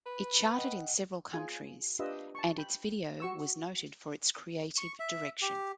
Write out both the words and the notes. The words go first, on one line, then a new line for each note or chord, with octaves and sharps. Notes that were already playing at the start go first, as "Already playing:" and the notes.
It charted in several countries and its video was noted for its creative direction.
B4
D#5 F#5 G5
F4 G#4 G#5
D4 F4 G4 B4 D#5 E5
A5 C#6
G5 B5
F#4 C#6 E6
C#6
E5
G4